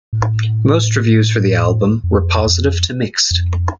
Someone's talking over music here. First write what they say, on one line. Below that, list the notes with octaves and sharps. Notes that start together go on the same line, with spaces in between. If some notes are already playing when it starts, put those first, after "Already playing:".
Most reviews for the album were positive to mixed.
A2
F2
F2
F2